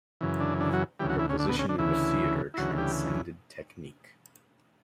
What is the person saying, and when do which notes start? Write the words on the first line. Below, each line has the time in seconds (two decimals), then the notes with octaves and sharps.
Her position in the theatre transcended technique...
0.21 F#2 C#3 E3
0.40 D3 D4
0.60 D3 D4
0.73 F#3 F#4
1.00 D2 C#3 E3 G3 G4
1.09 F#3 F#4
1.19 E3 E4
1.30 C#3 C#4
1.39 D3 D4
1.45 A3
1.49 B2 B3
1.59 C#3 C#4
1.69 D3 D4
1.79 D2 C#3 E3 E4
2.54 E4
2.58 D2 C#3 E3 F#3 F#4
2.78 G3 G4